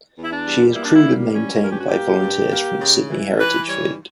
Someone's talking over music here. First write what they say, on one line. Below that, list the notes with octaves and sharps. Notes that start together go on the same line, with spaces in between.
She is crewed and maintained by volunteers from the Sydney Heritage Fleet.
E2
E4
D4
G3
A#3 E4
D4
E4
G3
C#4
G2 A#4
G4
F#4
A#3 G4
G2
A#3
C#3
E3
E3 B4
G3 C#5